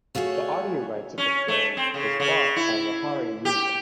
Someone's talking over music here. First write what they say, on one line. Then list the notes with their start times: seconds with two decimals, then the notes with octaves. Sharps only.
The audio rights of the film was bought by Lahari Music.
0.15 A3 F4 F#4 G#4 C#5
1.18 C#4
1.48 A3
1.77 C4
1.94 C#3
2.20 C#3
2.56 E4
3.45 G4